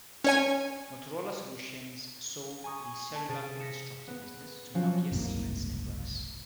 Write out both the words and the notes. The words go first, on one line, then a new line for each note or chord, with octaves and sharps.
Motorola Solutions sold the cellular infrastructure business to Nokia Siemens Networks.
C#4 C#5 G#5
G#5 A#5 C#6 D#6 G#6
A5 B6
C3 G#4 A6 D7
A#6 B6 C#7 E7
B3
F3 F#3 C#4 F4 F#4
F#1 C2 G#2 A#3